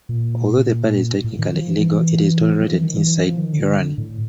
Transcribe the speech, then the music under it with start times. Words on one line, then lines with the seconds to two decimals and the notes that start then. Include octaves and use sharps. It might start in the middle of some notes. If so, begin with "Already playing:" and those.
Although the party is technically illegal, it is tolerated inside Iran.
0.09 A#2
1.24 A2
1.39 D#3
1.54 F3
1.69 E3
2.61 F3
2.72 E3
2.84 D#3
2.95 E3
3.06 E3
3.21 F3
3.38 D#3
3.53 D3
3.98 A2